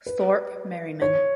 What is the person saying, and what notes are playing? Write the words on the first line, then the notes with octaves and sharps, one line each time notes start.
Thorpe Merriman.
B4
C#5